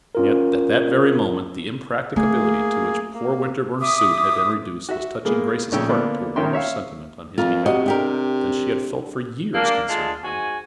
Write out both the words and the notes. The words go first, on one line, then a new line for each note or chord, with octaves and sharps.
And yet at that very moment the impracticability to which poor Winterborne's suit had been reduced was touching Grace's heart to a warmer sentiment on his behalf than she had felt for years concerning him.
C#4 F4 A#4
A3 A#3 G#4
A#3
E5 D6 D#6
F#4 E5
G#3 A#3 B3 G#4
A#1 C#3 A3 C#4 G5 E6
D3 A#3 B3 D4 F4
D#3 C#4 A#4 E5 G5 C6
C#5 E5 F5
F2 F4 A#4
C3 F#4 D#5
D4 G4 A#4
A#3 D4
D3 G#3 F4 A5
G#2 F#4 G#5